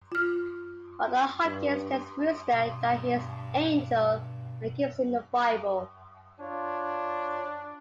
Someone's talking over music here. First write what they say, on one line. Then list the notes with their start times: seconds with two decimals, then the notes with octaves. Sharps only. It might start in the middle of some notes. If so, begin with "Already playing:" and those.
Mother Hopkins tells Rooster that he is an angel and gives him a bible.
0.12 F4 F6
1.45 G2
2.53 G2 B2
6.40 D4 F4 C#5